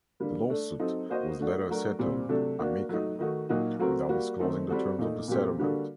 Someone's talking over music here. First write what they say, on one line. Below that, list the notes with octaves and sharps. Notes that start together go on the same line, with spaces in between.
The lawsuit was later settled amicably, without disclosing the terms of the settlement.
D3 G3 A#3
A3 D4 A4
F#3 C4 D#4 A4
A#3 F#4 C5 D#5
A3 D4 F#4
F#3 A3 D4 F#4 A#4
A#2 G3 C4
C3 F#3 A3 D4 A4
A#3 D4 F#4
F#3 A3 D#4
D#3 A3 D#4 F#4
A#2 F#3 A#3 D#4 F#4
F#3 A3 C4 F#4 A#4
G3 A#3 F#4
D#3 A3 C4 D#4 A4
G3 C4 F#4 A4
A#2 A3 D#4
A#2 F#3 A3 C4 G4
D3 G3 A#3 F#4 A4